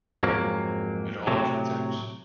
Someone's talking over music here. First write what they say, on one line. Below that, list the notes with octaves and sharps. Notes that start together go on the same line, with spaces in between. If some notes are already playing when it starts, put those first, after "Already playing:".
It altered things.
F2 G#2 F#3 A#3
A2 C3 F#3